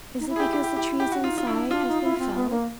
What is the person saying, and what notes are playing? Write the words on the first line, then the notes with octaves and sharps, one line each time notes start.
Is it because the trees inside have been felled?
D#4
E4
G#4
G4
G4
G4
G4
G4
F#4
D4
D#4 F4
F4
D4 E4
C#4
D4 F4
D#4
E4
C4
B3
A#3